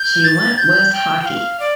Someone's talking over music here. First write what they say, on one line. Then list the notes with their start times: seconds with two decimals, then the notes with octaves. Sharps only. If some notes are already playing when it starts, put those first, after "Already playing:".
She went with hockey.
Already playing: G6
0.24 A6
0.58 G6
0.93 G5
1.21 G5
1.26 F5
1.60 D5